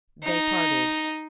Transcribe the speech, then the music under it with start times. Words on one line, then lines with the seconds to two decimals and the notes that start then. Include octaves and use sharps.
They parted.
0.23 D#4